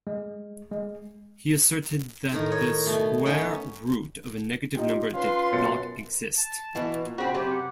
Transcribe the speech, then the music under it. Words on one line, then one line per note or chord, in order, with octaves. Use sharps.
He asserted that the square root of a negative number did not exist.
G#3
G#3
A2 D#3 A#5
C#5 D#5
B2 A3
B3 C#4 D#4
D#4 F4 G4
C#4 F4 B4 C6
F#2 B2 A6 C#7
A5
B2 E3
A#2
C#3 C4 F#4 C5 B5
F#2 C3 G4
F#5